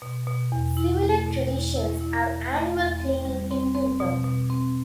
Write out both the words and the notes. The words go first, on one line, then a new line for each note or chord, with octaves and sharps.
Similar traditions have annual cleaning in winter.
B2
B2
E2
E4
A3
B2
E2
E4
E4
E2
A3
E2
C4
G3
C4
C4
B2
B2
C4